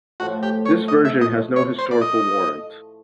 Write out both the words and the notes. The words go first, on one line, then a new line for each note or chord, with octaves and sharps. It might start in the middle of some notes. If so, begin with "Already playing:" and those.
This version has no historical warrant.
A2 F3 A3 F#4
G4
C#5
D#5
E5
D#5
C#5
C5
D5
D#5